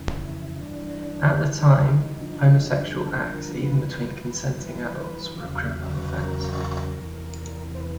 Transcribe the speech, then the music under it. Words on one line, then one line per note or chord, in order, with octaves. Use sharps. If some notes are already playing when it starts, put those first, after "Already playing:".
At the time, homosexual acts, even between consenting adults, were a criminal offense.
Already playing: F2 C#3 E3
E4
G2 E3 D4
E4
D#4
D4
D#4
G2 D3 F3
F#4
G4
G#4
A4
A#4
B4
G2 E3
B4
B4
E2 C#3 F#3 F5
E5
F5
E5
B4
A#4
E2 C3 E3
C5
B4